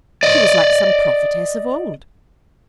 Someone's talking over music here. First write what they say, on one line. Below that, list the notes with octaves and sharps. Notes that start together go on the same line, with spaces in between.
She was like some prophetess of old.
D5 D#5